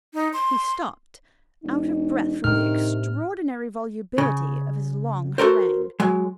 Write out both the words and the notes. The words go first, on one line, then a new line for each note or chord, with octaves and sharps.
He stopped, out of breath from the extraordinary volubility of his long harangue.
D#4
C6
E1 D#4
A2 C3 D#3 D4 F6
C#3
F#4 A4 A#4 C5
F#3 G#3